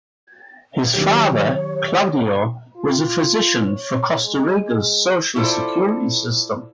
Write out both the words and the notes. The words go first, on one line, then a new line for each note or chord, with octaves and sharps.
His father, Claudio, was a physician for Costa Rica's social security system.
D#3 F#3 G4 C#5
F4
C#5
G#3
E4 F4 A4 C5 D5